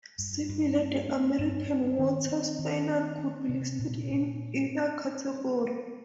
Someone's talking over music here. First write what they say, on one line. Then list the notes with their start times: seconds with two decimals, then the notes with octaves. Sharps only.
Similarly, the American Water Spaniel could be listed in either category.
0.18 G2
0.49 G2
0.79 A#3
1.09 A#3
1.39 G2
1.69 G2
1.99 D#3
2.29 C4
2.59 D#3
2.89 C4
3.18 C4
3.49 C3
3.79 A#2
4.09 A#2